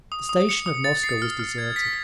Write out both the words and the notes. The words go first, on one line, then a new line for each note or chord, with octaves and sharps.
The station at Moscow was deserted.
D#6
D#6
C#7
D#6
A6
C7
F6
F6
G#6
B6